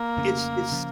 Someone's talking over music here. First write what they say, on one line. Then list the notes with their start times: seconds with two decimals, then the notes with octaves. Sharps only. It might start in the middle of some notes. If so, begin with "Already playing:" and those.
It's it's
Already playing: A#3
0.16 F2 C#3 A3
0.71 C#3 F3